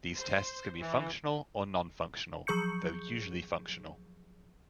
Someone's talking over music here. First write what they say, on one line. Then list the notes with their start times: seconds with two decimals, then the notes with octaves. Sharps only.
These tests can be functional or non-functional, though usually functional.
0.18 C5
0.80 E3
2.47 F3 F#3 G#4 C#6 G6 C#7